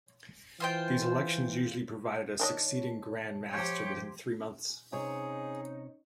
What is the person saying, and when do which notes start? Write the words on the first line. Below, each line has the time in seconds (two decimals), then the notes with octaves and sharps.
These elections usually provided a succeeding grand master within three months.
0.60 E3 F4 C5 G5
2.40 D#3 D4 C#5 D#5 A5
3.53 F3 G4 C#5 C6 G#6
4.92 C3 C#4 D#4 G#4 C#5